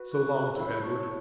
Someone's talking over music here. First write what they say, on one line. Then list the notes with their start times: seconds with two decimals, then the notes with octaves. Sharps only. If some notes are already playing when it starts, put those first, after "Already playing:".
"So long," to Edward.
Already playing: F#4 B4
0.12 C#6 F#6
0.53 E4 C#5 B5 E6
0.81 A5 C#6